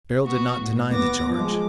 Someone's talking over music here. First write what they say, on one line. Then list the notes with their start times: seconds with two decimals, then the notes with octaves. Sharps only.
Beryl did not deny the charge.
0.24 B3 F#4
0.59 A2
0.90 D#2 B3 D6 A#6
1.33 F3 G#3 D6